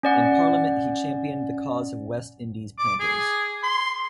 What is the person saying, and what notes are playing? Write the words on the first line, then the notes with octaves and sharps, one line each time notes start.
In Parliament he championed the cause of West Indies planters.
C#4 D5 F#5
D6
G#4
C6